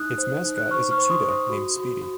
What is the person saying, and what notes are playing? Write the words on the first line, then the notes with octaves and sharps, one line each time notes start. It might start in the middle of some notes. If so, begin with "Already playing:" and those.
Its mascot is a cheetah named Speedy.
Already playing: D#4 D#6 F#6
C5
D#4
F#6
C5 C#6 F6
C#6 F6
C5
C#6
C6 D#6
C5
C6 D#6
F#4
F#4
F#4